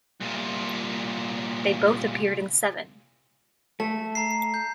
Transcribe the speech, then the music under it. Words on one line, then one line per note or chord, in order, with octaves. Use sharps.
They both appeared in seven.
C2 A#2
A3 A5
A#5 C7
G6